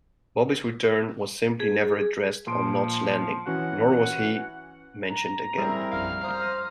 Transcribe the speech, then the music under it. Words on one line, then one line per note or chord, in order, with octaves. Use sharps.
Bobby's return was simply never addressed on "Knots Landing", nor was he mentioned again.
G#4
A#2 F3 C6 D7
E3 C#4 F#4 F#5
A#5
G3 C4 E4 G#4 A#4
A#1 F#2 F5 F6
C5 F5 A#5 D#6